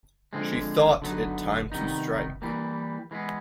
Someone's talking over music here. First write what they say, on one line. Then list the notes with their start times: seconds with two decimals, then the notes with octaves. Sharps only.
She thought it time to strike.
0.33 D3 F3 G#3 C4
1.02 D3 F#3 B3 D#4
1.72 C3 D#3 G3 B3 D#4
2.42 E3 G3 A#3
3.11 E3 G#3 B3